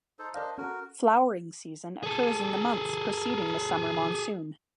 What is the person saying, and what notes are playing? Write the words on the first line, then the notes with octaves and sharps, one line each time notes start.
Flowering season occurs in the months preceding the summer monsoon.
D#4 A4 C5
D4 A#4 C5 D5 D#5 F5
C#4 F#4 A4 A#4
G#4 A4